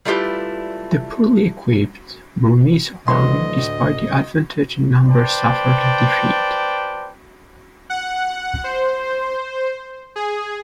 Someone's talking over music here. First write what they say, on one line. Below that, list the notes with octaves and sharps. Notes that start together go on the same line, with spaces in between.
The poorly equipped Burmese army despite the advantage in numbers suffered a defeat.
G3 A3 E4 F4 G4 B4
D2 E3 F#3 B3 D#5 C6
A2
B4 C5 D5 G5 A5
F#5
C5
G#4